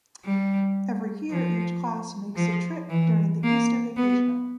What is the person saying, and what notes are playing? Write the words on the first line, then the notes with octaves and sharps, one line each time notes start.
Every year each class makes a trip during the Easter vacation.
G3
F3
F3
E3
A#3
B3